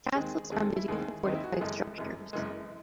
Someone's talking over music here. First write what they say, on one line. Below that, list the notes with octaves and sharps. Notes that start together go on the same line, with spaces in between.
Castles are medieval fortified structures.
D#2 D#3 G#3 C4 G#4
D#2 D#3 G#3 C4 G#4
A4
E4
D#2 D#3 G#3 C4 G#4
D#2 D#3 G#3 C4 D#4
E4
F#4
G#4
F#1 F#2 E3 G#3 A4
F#1 F#2 E3 G#3
F#1 F#2 E3 G#3